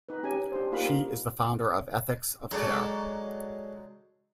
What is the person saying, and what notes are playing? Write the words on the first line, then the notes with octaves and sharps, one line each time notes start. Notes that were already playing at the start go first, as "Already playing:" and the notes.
She is the founder of ethics of care.
D#4 B4
C#4 G4 G#5
D4 G4 C5
A#3 D#4 F4 G4 F5 B5
F#3 G#3 D#4 A4 D5 D#5